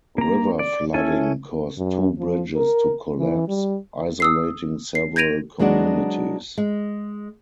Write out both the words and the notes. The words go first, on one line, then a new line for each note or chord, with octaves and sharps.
River flooding caused two bridges to collapse, isolating several communities.
A#3 A#5
D5
C#4 E4 A4 G#5
F#2
F3
A#4
E3
G3
D#6 E6 C7
C7
G6 G#6 A#6 D7 D#7 F7
F#3 G#3 B3 D4 F#4
G#3